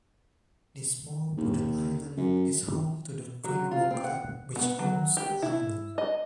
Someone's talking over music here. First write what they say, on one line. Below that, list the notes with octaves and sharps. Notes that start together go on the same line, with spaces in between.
This small wooded Island is home to the Quinnebog Club, which owns the island.
D#2
F#2
F#3
F4
C4
F#5
B3
F#3
G4
E4
D#5